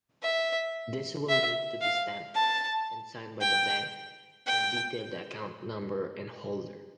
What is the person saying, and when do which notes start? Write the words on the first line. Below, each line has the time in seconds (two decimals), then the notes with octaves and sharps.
This will need to be stamped and signed by the bank, and detail the account number and holder.
0.23 E5
1.29 E5
1.81 F5
2.35 A5
3.41 G5
4.47 G5